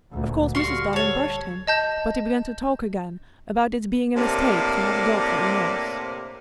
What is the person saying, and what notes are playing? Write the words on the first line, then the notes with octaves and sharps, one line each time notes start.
Of course Mrs. Darling brushed him, but he began to talk again about its being a mistake to have a dog for a nurse.
D2 A#2
D3 G3 F#4 F5 C6
A4 C#5
D#5 A5 G6
A2 C3 A#3 D4